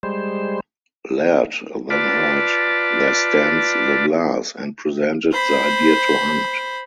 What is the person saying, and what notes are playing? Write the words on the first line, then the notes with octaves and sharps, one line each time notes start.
Laird then heard "There Stands the Glass" and presented the idea to Hunt.
G3 G#3 C5
F4 B4 D5 A5
C5 B5